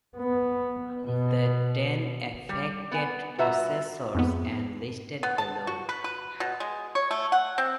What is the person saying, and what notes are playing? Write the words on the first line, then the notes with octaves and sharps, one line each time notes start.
The ten affected processors are listed below.
B3
B2
G3
B3 G#5
G2 F4 F#4 E5 A#5
F2 G#2 B3
B3
A5
F#4
B4
B4
B2
G#3
C#5
A3
F#5
C4